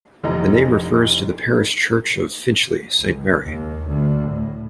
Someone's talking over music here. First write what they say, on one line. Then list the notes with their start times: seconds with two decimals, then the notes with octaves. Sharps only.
The name refers to the parish church of Finchley, Saint Mary.
0.24 F1 A#1 E3 D#5 A#5
3.02 C#2
3.45 D#2
3.90 D2
4.33 A2